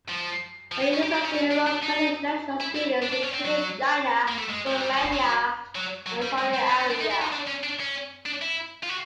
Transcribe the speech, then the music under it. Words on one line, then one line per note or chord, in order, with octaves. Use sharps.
The university enrolls many international students, including China, Romania, and Saudi Arabia.
F3
F3
B3
C#4
G4
D4
C#4
C#4
D4
D4
D#4
E4
E4
D4
D4
C#4
C4
F#3
A#3
A3
G#3
F3
F#3
G3
F3
F#3
F#3
F#3
G3
G#3
C4
C#4
C#4
D4
D#4
E4
D#4
D4
C#4
D4
C#4
D4
E4
F4
F#4